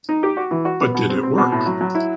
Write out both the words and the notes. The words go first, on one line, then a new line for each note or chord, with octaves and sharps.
But did it work?
D#4
G4
F#4
E3
F#4
B3
B2
C4
C4
B2
A2
F#3
F#3
E4